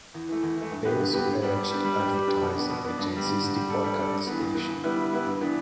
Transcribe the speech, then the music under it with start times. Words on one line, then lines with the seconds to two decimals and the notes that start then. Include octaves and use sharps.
They also urged advertising agencies to boycott the station.
0.14 E2
0.29 E3 A3
0.43 E2
0.56 E3
0.61 A3
0.71 G2
0.85 D3 B3 G4 B4
1.00 G2
1.14 D3 B3 G4 B4
1.28 G2
1.42 G3 B3 D4
1.56 G2
1.70 G3 B3 D4
1.84 G3
1.99 D4 G4 B4
2.13 G3
2.27 D4 G4 B4
2.42 B2
2.56 B3 D4
2.70 B2
2.85 B3 D4
2.99 G2
3.13 D3 G3
3.27 G2
3.42 D3 G3
3.55 G3
3.70 D4 A4
3.84 G3
3.98 D4 A4
4.13 G2
4.27 E3 B3
4.41 G2
4.55 E3 B3
4.69 D3
4.83 G3 B3 E4 B4
4.97 D3
5.12 G3 B3 E4 B4
5.26 G2
5.41 E3 B3 D4